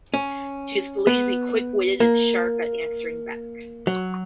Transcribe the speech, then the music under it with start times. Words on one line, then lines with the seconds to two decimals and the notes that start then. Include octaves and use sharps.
She is believed to be quick witted and sharp at answering back.
0.14 C#4
1.07 B3
2.00 A#3
3.87 F#3